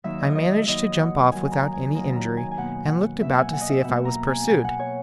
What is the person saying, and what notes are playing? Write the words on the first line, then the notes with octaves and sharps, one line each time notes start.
I managed to jump off without any injury, and looked about to see if I was pursued.
D#2 D#3 F#3 E5
D#5
D#5
E5
D#2 D#3 F#3 D#5
F#5
D#2 D#3 F#3 G#5
A#5
G#5
D#2 D#3 F#3 A#5
A#5
G#5
G#5
B2 A#3 F#5
F#5
B2 A#3 E5
F#5
G#5
F#5
D#5
E5
B2 A#3 F#5
A#5
G#5
B2 A#3 G#5
F#5
C#5